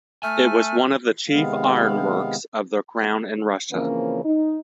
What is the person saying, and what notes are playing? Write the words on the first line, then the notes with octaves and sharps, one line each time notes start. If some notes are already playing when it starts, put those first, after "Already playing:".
It was one of the chief ironworks of the crown in Russia.
A3 G#5 F6
C3 D#3 G#3 B3 F5
C#3 E3 F3 A#3 C4 C#4
D#4